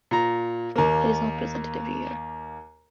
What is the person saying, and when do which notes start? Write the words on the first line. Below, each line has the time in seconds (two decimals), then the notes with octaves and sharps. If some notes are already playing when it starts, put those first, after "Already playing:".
It is not presented every year.
0.11 A#2 A#5
0.76 D#2 A#3